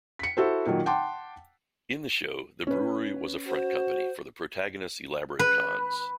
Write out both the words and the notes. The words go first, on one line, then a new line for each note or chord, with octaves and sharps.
In the show, the brewery was a front company for the protagonists' elaborate cons.
B6 C#7
E4 F#4 A4 C5
A#2 D#3 F#3
F#5 G5 A5 C6 D6
C#4 B4
F#4 C5
B4